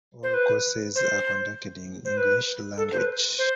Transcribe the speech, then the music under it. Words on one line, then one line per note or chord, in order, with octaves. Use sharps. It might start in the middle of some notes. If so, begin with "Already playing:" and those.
All courses are conducted in English Language.
C5
B4
C5
C5
B4
A4
C5
B4
C5